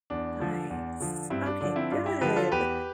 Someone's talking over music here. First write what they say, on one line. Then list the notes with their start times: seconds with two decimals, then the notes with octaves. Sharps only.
Nice, okay, good, th
0.10 E2 D4
0.40 D3 F3
0.70 E2
1.00 D3 F3
1.30 G2 C4 E4
1.46 D4
1.61 D3 F3 D4
1.76 C4 E4
1.91 G2 D4 F4
2.06 E4 G4
2.21 D3 F3 G4 B4
2.36 F4 A4
2.51 E2 G4 B4